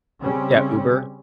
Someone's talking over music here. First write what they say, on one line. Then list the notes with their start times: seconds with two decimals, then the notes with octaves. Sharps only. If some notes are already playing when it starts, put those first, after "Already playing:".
Yeah, Uber,
0.21 C#3 G3 C4 C#4